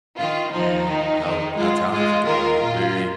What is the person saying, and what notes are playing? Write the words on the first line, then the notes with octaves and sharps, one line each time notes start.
and how how talented you are, and I'm very
D#3 F4
F3 D#4
D#3
D#3
G#3 F4
G#3 F4
D#3 F4 A#4
A#2 F4